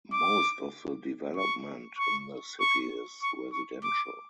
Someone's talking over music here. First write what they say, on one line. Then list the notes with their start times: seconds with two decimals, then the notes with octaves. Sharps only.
Most of the development in the city is residential.
0.13 D6
1.37 C#6
1.98 C#6
2.60 C#6
3.22 C#6
3.53 C#6
3.83 D6